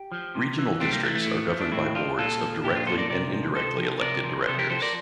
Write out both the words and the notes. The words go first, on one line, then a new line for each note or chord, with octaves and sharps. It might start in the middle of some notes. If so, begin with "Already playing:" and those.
Regional districts are governed by boards of directly and indirectly elected directors.
Already playing: G4
F3
C3
E3
C3 A3 C4
G3 A#3
E3 A3
A3
A2
F3
D4
A2 C4 E4
F3 D4 F4
A#2 F4 A4
F3
A#2 E4 G4
D4 F4
F3 A4 C5
A#4 D5
C3 A#4 D5
F3
C3 A4 C5
F3
C3 A#4 D5
F3
C3 A4 C5
G4 A#4
F3 A4 C5
A#4 D5